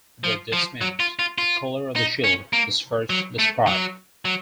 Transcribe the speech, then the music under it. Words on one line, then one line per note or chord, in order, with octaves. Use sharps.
What this means: The colour of the shield is first described.
F3
F3
F#3
F4
F4
F4
D#4
C#4
A#3
F#3
A3
F#3
F#3